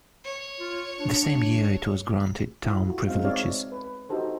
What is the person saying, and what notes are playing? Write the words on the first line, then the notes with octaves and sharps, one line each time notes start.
The same year it was granted town privileges.
C#5
F4
D4
E4 F4 A4
F#4
G#3 C4 D#4 F5
C4 D#4 C#5 D5 E5 F5
B4
D#4 F#4 G4 A4 C5